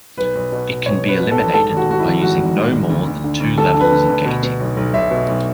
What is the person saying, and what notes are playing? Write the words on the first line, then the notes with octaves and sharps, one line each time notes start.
It can be eliminated by using no more than two levels of gating.
B1 B4
B1
B2
B2
B1 C#5
B2
B4
B2
A4
B1
G#2 A4
G#1
F#4
G#2 F#4
E4
G#1
G#2 F#4
G#1
G#2
G#1
D2
D2
D3
D2
D2 A4
D3
B4
D2
D2
B2
B2
B1
B1
B1 E5
B2
B1